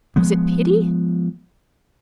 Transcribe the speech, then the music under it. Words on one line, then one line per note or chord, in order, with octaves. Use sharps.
Was it pity?
F3 G#3 B3